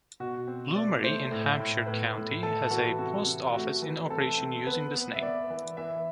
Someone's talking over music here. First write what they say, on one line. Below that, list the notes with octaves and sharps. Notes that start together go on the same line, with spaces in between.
Bloomery in Hampshire County has a post office in operation using this name.
B2 F#4
C4
A3 D5
A3 C5
A2
A2
A2 B4
A2
A3 A4
E3 F#4
C3 F#4
C3
A3 F#4
E3
C4 A4
C4
B3 B4
B3
E5
B3 D5
E3
E3 E5